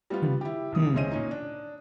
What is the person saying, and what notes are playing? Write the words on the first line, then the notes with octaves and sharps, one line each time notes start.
Mm. Hmm.
G3 B3 F4
E4 G4
C2 D#6
D2 G#3 C#4 C5 D#5 D#7
A#2 C#4 D#4
D4